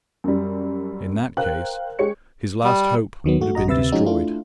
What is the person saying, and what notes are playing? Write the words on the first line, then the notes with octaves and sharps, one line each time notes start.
In that case his last hope would have been destroyed.
F#2 G3
A#4 C5 F5 G5 F#6
G#3 G4 C#5 C#7
G3
D#2 D#3 F#3 B3
A3 F#4
A1 F#4 D#5 A#5
D2 C3 B4 E5 E6 A6
F3 G#3 C#4 D#4 F#4
A3 D4 E4 F4